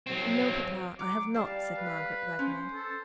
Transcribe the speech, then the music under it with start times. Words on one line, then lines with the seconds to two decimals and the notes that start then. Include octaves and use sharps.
'No, papa; I have not,' said Margaret, reddening.
0.07 F#3 C4
0.99 F#3 D6
1.34 G3 F5 A5
1.77 B4
2.39 C#4 C5
2.72 A4